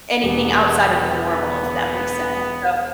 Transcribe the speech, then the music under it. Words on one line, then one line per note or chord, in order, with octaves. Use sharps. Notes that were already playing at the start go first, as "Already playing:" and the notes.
anything outside of the normal, if that makes sense, so,
E1 B3 G4